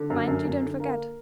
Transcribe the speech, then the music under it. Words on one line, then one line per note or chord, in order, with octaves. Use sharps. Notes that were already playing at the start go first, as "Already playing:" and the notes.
'Mind you don't forget.
Already playing: D3
F#2
F#2
F#2
D3
A#3 A#4